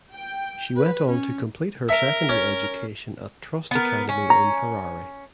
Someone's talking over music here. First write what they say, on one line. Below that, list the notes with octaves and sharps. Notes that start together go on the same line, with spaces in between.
She went on to complete her secondary education at Trust Academy in Harare.
G5
B4
C#4
A#4 E5
C#4
B3 A#4
C#4
A#5